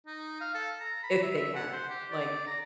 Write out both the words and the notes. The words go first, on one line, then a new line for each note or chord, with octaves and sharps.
if they can, like,
D#4
F5
A4
A#5
B5
E5
E5
F#5
C5
G4
D5
A#5